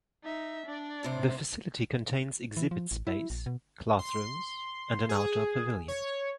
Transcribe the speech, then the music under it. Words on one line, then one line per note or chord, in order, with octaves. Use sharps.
The facility contains exhibit space, classrooms, and an outdoor pavilion.
D#4 E5
D4 D5
A2 C3 C5
E3
F3
A1
E4
A#1
B2
C6
G#4
C#5